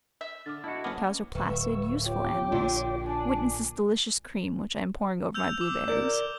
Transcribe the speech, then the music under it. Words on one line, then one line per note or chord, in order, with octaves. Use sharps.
Cows are placid, useful animals--witness this delicious cream which I am pouring over my blueberries.
E5
D3 D6 F6 A6
E4 F#4 D#5 A5
F#1 B3 C#4 A5 D6 F6
D1 B4 C#6 E6
F4 G4 C#5
A#1 A#2 D3
D4 G#5
E6 G6 F7
D6 E6
A#4 D5 G6
G7